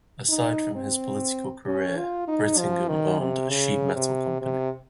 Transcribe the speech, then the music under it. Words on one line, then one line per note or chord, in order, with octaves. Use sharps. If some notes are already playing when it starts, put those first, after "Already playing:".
Aside from his political career, Brittingham owned a sheet metal company.
D#4
C4
C#4
F4
D#4
F3
D#3
C3
C#3
C3
C3